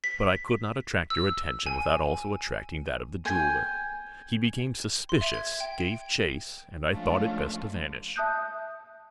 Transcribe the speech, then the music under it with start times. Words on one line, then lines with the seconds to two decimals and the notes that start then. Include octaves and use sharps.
But I could not attract your attention without also attracting that of the jeweler. He became suspicious, gave chase, and I thought it best to vanish.
0.04 B6
1.10 E6
1.66 G#5
3.25 G5 G#5
5.09 C6
5.21 E5
5.34 G#6
5.60 G5
5.80 D7
6.90 F3 G#3 A3 C#4 D4 F4
8.16 E5 A5 D#6 F#6 G6